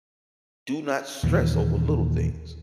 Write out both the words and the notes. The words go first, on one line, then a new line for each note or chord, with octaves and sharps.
Do not stress over little things,
D#2 A#2 E3